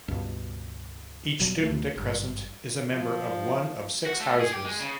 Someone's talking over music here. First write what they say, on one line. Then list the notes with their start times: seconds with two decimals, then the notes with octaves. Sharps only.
Each student at Crescent is a member of one of six houses.
0.08 C#2 G2 B2
1.39 E1 B2 F#3 G3
1.63 D2 A3
1.96 G#1 G2
2.90 F3
4.06 F#4
4.21 A3
4.41 G#4
4.53 G4
4.65 G#3
4.80 C#3